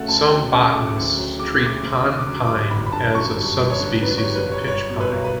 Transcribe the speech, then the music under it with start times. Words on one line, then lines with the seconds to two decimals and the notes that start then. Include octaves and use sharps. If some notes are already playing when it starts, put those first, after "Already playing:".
Some botanists treat pond pine as a subspecies of pitch pine.
Already playing: C#3 F#3 A3 F#5
0.08 D2 A5
0.30 F#3 G5
0.52 C#3 F#5
0.74 A3 D6
0.96 D2
1.17 F#3
1.39 C#3 D6
1.62 A3 D6
1.83 D2
1.93 D6
2.05 D3
2.19 D6
2.27 F#2
2.45 G3 D6
2.71 G1 B5
2.86 B5
2.92 D3 A5
3.15 F#2 C#6
3.37 G3
3.58 G1
3.70 C#5
3.80 D3
4.02 F#2 B4
4.18 C#5
4.24 G3
4.35 B4
4.45 G1
4.52 C#5
4.68 G3 C#5
4.90 B2
5.00 B4
5.12 B1
5.24 B4